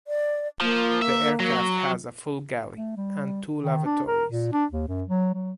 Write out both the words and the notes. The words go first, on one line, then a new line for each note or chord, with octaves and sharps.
The aircraft has a full galley and two lavatories.
D5
F3 A#3
E5
F#3
A3
G3
D#3
D4
A#4
A#2
D4
D#2
F#2
F#3
F#3